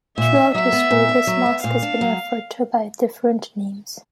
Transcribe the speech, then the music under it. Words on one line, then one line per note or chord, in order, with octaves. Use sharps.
Throughout history, this mosque has been referred to by different names.
A#2 E5
D4
F#3 E5
B3
A#2
D4
F#3
B3
A#2 F5
D4
F#3